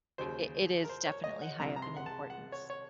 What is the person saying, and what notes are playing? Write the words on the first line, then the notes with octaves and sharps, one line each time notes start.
it it is definitely high up in importance.
D#2 C#3 F#3 C5
A#4
C5
C#5
D#5
F#5
C2 C3 F3 A#5
A#5
C6
F#5
A5
F#5
C#5
C#5